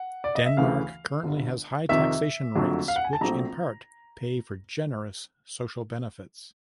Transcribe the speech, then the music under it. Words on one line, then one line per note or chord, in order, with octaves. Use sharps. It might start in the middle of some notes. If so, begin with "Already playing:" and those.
Denmark currently has high taxation rates which in part pay for generous social benefits.
Already playing: F#5
D5
D#5
E5
D2 C#3 E3 A3 F5
G1 G2 D3
F2 C3 D#3 E5
F#1 F2 D3 F#3 A3
F5
F#5
G#5
A5
A#1 A#2 F#3 A3 C4 A#5